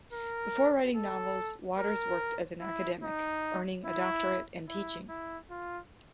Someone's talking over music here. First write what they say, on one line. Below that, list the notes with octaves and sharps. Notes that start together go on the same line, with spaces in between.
Before writing novels, Waters worked as an academic, earning a doctorate and teaching.
A#4
A4
A#4
E4
D#4
E4
E4
E4
F4